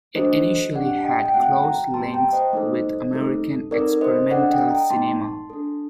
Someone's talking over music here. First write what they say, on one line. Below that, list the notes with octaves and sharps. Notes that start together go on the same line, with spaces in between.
It initially had close links with American experimental cinema.
A3 D4 F#4 A4 C5 D#5
D4 G4 D5 F#5
D#5 G5
G5
A3 C4 F#4 F#5 A5
G5 A#5
A3 C4 G4 A5 C6
G5 A#5
C5 D#5
A3 D#4 A4
A3 D#4 A4
C4 D#4 A4 A#4 D5
C5 D#5
D4 A4 D5 F#5
D#5 G5
G5 A#5
A3 C4 D#4 A5 C6
D4 A4